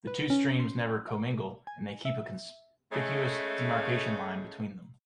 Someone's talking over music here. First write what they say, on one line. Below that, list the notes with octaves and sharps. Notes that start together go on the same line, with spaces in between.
The two streams never commingle, and they keep a conspicuous demarcation line between them.
B4
C#4
C6
G#5
E5
C#3 G#3 A3